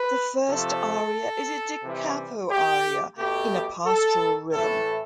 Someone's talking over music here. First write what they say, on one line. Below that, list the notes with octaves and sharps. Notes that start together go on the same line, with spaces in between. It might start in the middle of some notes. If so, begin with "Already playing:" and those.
The first aria is a da capo aria in a pastoral rhythm.
Already playing: B4
C3 F3 A3 A4
C3 E3 G3
G4
B2 A3 G4
A4
A2 E3 A3 A4